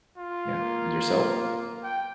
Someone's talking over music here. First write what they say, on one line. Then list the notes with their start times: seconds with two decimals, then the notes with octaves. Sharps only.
Yeah, and yourself?
0.18 F4
0.57 A#3
1.83 G5